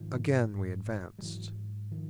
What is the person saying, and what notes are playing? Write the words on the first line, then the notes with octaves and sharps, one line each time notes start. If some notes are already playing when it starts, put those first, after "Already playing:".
Again we advanced.
Already playing: G#2 D#3 F3
G3
G#2 E3 F#3
D#3 F3